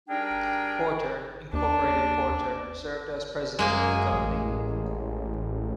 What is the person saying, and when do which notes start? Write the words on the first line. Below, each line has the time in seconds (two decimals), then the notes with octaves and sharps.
Porter, Incorporated Porter served as president of the company.
0.08 G3 D4 D#4 G#4 A#4 G5
1.53 D#2 D4
3.59 F#2 G#3 A#3 G#4
4.12 A1